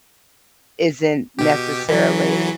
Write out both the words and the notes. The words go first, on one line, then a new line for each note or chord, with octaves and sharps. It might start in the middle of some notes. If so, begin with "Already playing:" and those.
isn't necessarily
B2 G4
E3 F#3